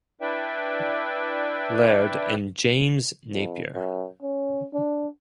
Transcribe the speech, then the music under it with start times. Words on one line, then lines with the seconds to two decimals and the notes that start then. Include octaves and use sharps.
Laird and James Napier.
0.21 D4 E4 B4 D5 E5 G5
3.33 F2
3.75 F#2
4.22 C#4
4.73 D4